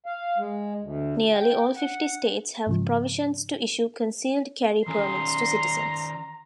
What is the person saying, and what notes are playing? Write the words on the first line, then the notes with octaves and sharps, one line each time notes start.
Nearly all fifty States have provisions to issue concealed carry permits to citizens.
F5
G#3
D2
G5
F#5
G#2 C#3 F3
D#3 C#4 G#5 A#5 C6